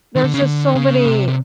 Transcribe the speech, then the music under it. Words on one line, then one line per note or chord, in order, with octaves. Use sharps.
there's just so many
D#3
D3
C#3
D3
C#3
C3
C3